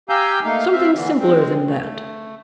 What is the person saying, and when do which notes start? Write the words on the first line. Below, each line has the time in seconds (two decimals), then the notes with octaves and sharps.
Something simpler than that.
0.09 G4 F5 G#5 A#5 E6 G6
0.43 A3 A#3 D#4 F5
0.73 C4 E5 F5
0.95 A#2 D3 E3
1.18 G#3 C4
1.66 A3